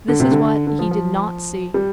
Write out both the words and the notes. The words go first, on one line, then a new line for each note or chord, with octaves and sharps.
This is what he did not see.
D3
C3
D3
D3
F3
F3
G3